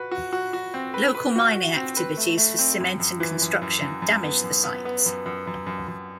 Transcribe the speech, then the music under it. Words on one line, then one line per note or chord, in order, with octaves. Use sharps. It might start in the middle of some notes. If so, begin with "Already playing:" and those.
Local mining activities for cement and construction damage the sites.
Already playing: F#4 B4
F#4
F#4
F#4
C4
B4
B4
F#4
F#4
C4
B4
A3
A3
C4
F#2
F#2
E3
F#2
F#2
F#2
F#2
B3
F#2
B3
B3
F#2
F#2
F#2
F#2
F#2